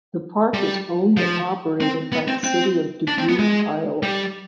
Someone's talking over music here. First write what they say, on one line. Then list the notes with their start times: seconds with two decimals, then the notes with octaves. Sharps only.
The park is owned and operated by the city of Dubuque, Iowa.
0.54 G3
1.17 F3
1.81 C4
2.12 B3
2.28 C4
2.44 C4
3.08 D4
3.18 C4
3.29 B3
3.39 G#3
4.03 G3